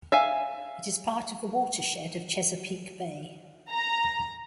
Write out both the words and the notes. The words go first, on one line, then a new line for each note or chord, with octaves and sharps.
It is part of the watershed of Chesapeake Bay.
E5 F5 G#5
A#5